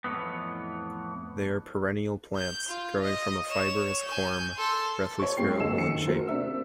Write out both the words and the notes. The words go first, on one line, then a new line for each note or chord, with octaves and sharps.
They are perennial plants growing from a fibrous corm, roughly spherical in shape.
F2 A2 C#3 E3 B3
G6
F4
D#5
C#5 E7
G#5 G6
A4 C6
C#5 C#6
F#1 G#2 A#3 C4 G4 C7
D2 A4 D#5 E6 E7
F#1 D#3 C#7
A3 F#4 A#4 C5
C3 D4 E5 E6